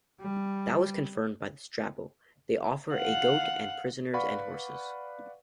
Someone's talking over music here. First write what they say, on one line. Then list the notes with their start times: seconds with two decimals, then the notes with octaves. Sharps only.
That was confirmed by Strabo: "They offer a goat and prisoners and horses".
0.20 G3
2.91 F5 F#5
4.13 B4 D5 F5 F#5 B5 C#6